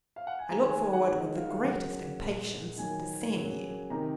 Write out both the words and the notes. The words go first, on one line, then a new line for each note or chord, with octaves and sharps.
I look forward with the greatest impatience to seeing you.
F5
F#5
G#5
D#3 G#3 A#5
G#5
G#5
F#5
D#3 G#3 F#5
D#5
F5
F5
C#3 F#3 A#3 F#5
A#2 G#3
D#3 F#3 A#3 G#5
C#3 F#3 A#3
C3 D#3 A#3 A#5